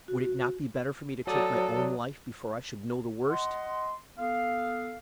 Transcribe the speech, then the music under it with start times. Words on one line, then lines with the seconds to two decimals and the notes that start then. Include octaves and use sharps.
Would it not be better for me to take my own life before I should know the worst?
0.08 F#4
1.27 F#3 A4 D5 D#6
3.29 D#5 F#5 C6
4.18 B3 A4 F5